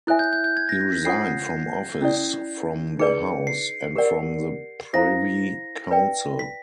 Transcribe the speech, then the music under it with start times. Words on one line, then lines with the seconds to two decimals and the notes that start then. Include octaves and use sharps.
He resigned from office, from the House, and from the Privy Council.
0.07 E4 A4 C#5 E5 G#5 F#6
0.19 G6
0.33 G6
0.44 G6
0.57 G#6
0.69 A#6
0.81 A#6
0.92 B6
1.05 D4 F4 A4 C#5 F#5 C7
2.01 C#4 E4 A4 D5
2.99 D#4 G#4 B4 D5 C#7
3.47 C7
3.96 G4 A#4 D5 F#5
4.93 E4 A4 C5 F5 A#5 A#6
5.91 B4 D5 G5
6.39 B6